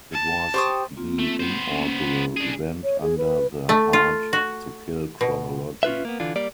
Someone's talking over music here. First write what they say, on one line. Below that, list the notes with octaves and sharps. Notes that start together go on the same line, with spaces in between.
It was the inaugural event under the Hard To Kill chronology.
A5
G4 C5 C#6 D#6
A#3 C4 F4
A3
B3 C5
A#3 C#4
C#4
D4 G#4
C#5
G#4
B4
A3
F4
F#4
B2
C#4 F4 B4 E5
A#3 B3
D3 E3 D4 F4
G3 A#3 D5